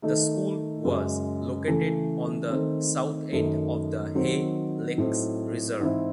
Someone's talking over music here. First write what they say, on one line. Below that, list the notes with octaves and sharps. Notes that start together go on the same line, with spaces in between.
The school was located on the south end of the Hay Lakes reserve.
D#3 A3 D#4
F#2 C#3 G#3
C#3 E3 A3
D#3 A3 C4
F#2 D#3 A3
D#3 F#3 C4
A2 F#3 C4 D#4
G#2 E3 C4 E4